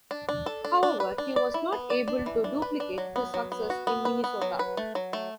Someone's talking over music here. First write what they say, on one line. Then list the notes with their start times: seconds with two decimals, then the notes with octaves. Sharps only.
However, he was not able to duplicate his success in Minnesota.
0.11 D4
0.29 D4
0.46 A4
0.65 D4
0.83 D4
1.00 B4
1.18 D4
1.36 D5
1.54 E4
1.73 B3
1.90 D5
2.08 D4
2.26 E3
2.44 D4
2.62 B4
2.80 D4
2.98 F#3
3.16 B3
3.34 F#3
3.52 B3
3.70 F#4
3.87 B3
4.05 B4
4.24 B3
4.42 F#3
4.59 B4
4.77 A3
4.95 F#3
5.13 A3